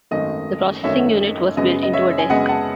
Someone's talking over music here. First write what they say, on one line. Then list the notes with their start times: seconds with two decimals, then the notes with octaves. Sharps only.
The processing unit was built into a desk.
0.11 G#1 F#2 D#3 A3 D#5
0.83 G#1 F#2 D#3 A3 C#5 E5
1.57 F#2 C#3 G#3 B3 D#5
1.83 D#5
1.93 C#5 E5
2.19 G#5
2.29 F#2 C#3 G#3 B3 D#5 F#5
2.48 F#5 A5